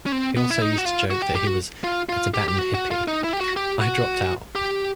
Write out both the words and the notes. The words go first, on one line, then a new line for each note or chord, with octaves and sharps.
He also used to joke that he was a Tibetan hippie: I dropped out!
C#4
C4
B3
E4
D#4
F#4
F4
F#4
G4
G4
F#4
F4
F4
G4
G4
F#4
F#4
F4
D#4
E4
G4
F#4
G4
F#4
G4